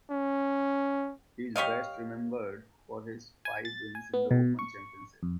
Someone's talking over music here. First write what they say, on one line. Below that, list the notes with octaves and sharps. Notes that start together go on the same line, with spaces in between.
He is best remembered for his five wins in The Open Championship.
C#4
G4 C#5 D#5 F5
G#5
A6
G#5
B3
B2
C#6
F2